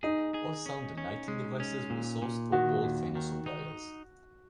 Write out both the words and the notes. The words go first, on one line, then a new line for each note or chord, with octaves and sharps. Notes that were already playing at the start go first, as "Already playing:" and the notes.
All sound and lighting devices were sourced from world famous suppliers.
D#4 G#4
G#4
C#4
C#4
G#3
C#4
A#2
A#2
D#3 F#4
D#2
D#3
D#4